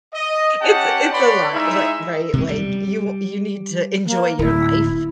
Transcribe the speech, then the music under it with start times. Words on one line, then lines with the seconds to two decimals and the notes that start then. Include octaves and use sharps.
it's a it's a lot, like, right? Like you you need to enjoy your life.
0.14 D#5
0.62 C#4 G4 F#5 G5 A5
1.12 B4 C#5 D5 B5 C6
1.53 G#3 D#4 E4 E5
2.33 C3 G#3
2.49 G3
4.06 A#3
4.39 D1 E4